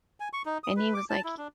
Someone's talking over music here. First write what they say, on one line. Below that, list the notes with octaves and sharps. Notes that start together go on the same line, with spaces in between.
and he was like
G#5
C#6
D#4
D#6
B4
D6
A5
E4
D4